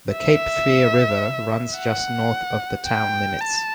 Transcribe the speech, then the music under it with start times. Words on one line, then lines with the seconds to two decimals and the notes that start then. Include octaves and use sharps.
The Cape Fear River runs just north of the town limits.
0.12 E5
1.77 F#5
2.86 G5
3.41 A5